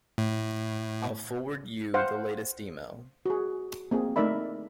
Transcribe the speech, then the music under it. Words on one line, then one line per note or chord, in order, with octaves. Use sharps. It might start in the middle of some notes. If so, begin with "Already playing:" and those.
I'll forward you the latest email.
A2
C5 F5 F#5
F#4 G#4
A#3 C4 G#4
A3 D#4 A#4 D5 E5 B5